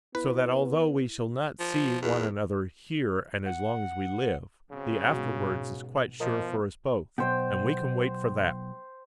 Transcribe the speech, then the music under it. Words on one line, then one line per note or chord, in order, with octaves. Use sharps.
So that although we shall not see one another here and as long as we live, the afterwards is quite sure for us both. And we can wait for that.
B3 E4 B4
F3
E2
F#5
C#3 F#3 C4
G#2 B2 F#4
B2 F3 A#4 D#5
B1 G#2 B2 C5 G5